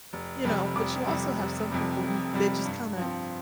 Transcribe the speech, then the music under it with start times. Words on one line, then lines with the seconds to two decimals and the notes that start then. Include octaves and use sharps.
you know, but you also have some people who they just kinda
0.13 F1
0.45 F2 C3 G3
0.76 F1 D6
1.07 F2 C3 G3
1.39 F1
1.71 F2 C3 G3
2.02 F1
2.34 F2 C3 G3
2.65 G2
2.97 F3 C4